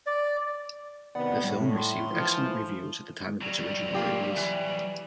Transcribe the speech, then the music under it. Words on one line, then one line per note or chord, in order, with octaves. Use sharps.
The film received excellent reviews at the time of its original release.
D5
C3 D#3 B3 D5 F#5
A2 G3
C6
E3 F3
F#3 G3
A#3 F4 G4
E3